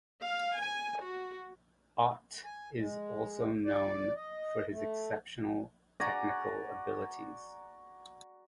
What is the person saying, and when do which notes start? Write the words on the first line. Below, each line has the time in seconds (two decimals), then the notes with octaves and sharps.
Ott is also known for his exceptional technical abilities.
0.24 F5
0.58 G#5
1.00 F#4
2.45 G#5
2.78 G#3
3.65 D5
4.16 D#5
4.71 A3
6.00 F#4 D5 G#5 A#5